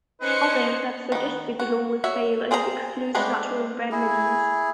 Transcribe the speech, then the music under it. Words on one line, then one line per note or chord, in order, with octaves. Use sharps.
Others have suggested the law will fail as it excludes natural remedies.
C#4 D#4 B4 C5 C#7
D#3 B3
F#4
F#4 C#5 E5
C4 G#4 C5 E5 A#5
G#3 A3 B3 C4 D4
E4 G#4